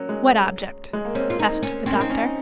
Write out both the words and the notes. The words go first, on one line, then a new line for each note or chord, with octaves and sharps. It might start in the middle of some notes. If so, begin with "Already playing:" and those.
'What object?' asked the doctor.
Already playing: F#3 A#3 C#4
G#3
G#3
A#3
C4 C#4
F4
D#4
C#4
C4 C#4
A#3
C4 D#4
C#4
D#4